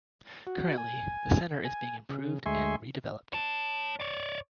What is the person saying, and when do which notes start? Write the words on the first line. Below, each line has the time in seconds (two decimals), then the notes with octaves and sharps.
Currently, the centre is being improved and redeveloped.
0.47 F#4
0.78 G#5
1.65 G#5
2.09 C#3
2.46 D2 G#3 E5 G#5 C6 C#6
3.33 C#5 A5
4.00 C#5 D5